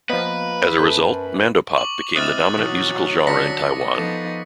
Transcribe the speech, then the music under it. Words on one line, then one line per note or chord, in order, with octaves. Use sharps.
As a result, mandopop became the dominant musical genre in Taiwan.
F3 A#3 B3 B4 D#5
F#2 A4 C5
C#6 D6 F#7
C4 E4 D#5 D#6 F6 F#6 A6
B1 E3 F#3 F#5
D3 D4 A5 A#6 B6 C#7
F3 B3 D#4 A4